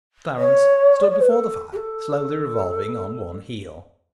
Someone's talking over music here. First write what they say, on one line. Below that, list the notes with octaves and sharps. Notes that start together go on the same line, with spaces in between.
Clarence stood before the fire, slowly revolving on one heel.
C#5
D5
C#5
B4
A4
G4
A4